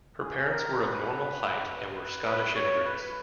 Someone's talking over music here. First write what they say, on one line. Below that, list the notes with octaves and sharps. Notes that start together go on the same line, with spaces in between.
Her parents were of normal height and were Scottish immigrants.
G#4
A#4
B4
B4
B4
C#5
B4